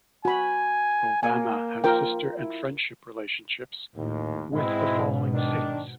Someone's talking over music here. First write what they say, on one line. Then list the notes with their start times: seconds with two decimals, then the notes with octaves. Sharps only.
Obama has sister and friendship relationships with the following cities.
0.25 F#4 G#5 B5
1.23 A#3 G#5
1.84 F4 A#4 G5
2.38 E4
3.96 D#2 A2
4.53 G#2 B2 G#3 C4 E4
5.33 D#3 D4